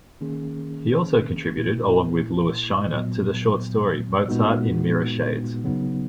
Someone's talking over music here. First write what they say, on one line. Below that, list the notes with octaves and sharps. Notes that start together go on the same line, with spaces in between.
He also contributed, along with Lewis Shiner, to the short story "Mozart in Mirrorshades".
D#3 A#3 C#4 G#4
A#2 A#3 E4
A#2 F#3 B3
A#2 G#3 B3 D#4 F#4
C#3 F#3 B3 D#4